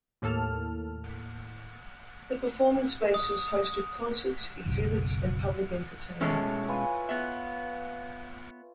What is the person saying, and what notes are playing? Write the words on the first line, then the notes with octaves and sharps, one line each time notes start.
The performance spaces hosted concerts, exhibits, and public entertainment.
D#2 A2 A#3 A4 A5 F6
D#6
F#1 B1
B2 G#3 C#4 A4 C#5 E5
F4 B4 G#5
B3 E5